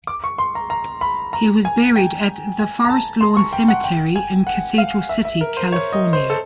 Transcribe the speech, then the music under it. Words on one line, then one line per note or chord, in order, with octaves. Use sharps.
He was buried at the Forest Lawn Cemetery in Cathedral City, California.
D6
C#6
C6
A#5
A#5
B5
A#5
G#5
G5
G#5
A#5
A5
C6
C#6
G5
F#5
G5
G#5
F#5
F5
E5
E5
A#4
C5
C#5
D#5
C5
A4